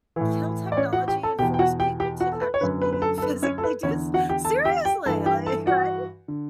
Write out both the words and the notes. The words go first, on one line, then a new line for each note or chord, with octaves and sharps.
kill technology and force people to actually, physically do s Seriously! Like, right?
A2 E3
D5
C#4 C#5
F#4 F#5
G4 G5
A4 A5
E2 B2 G4 G5
G5
F#4 F#5
G4 G5
G4 G5
F#4 F#5
A4
B4
C#5
F#2 D3 B4
B4
B4
A4
A4
B4
C#4 C#5
A4
B4
E2 D3 C#4 C#5
F#4 F#5
G4 G5
A4 A5
G4 G5
G4 G5
G2 E3 A4 A5
G4 G5
A4 A5
F#4 F#5
D3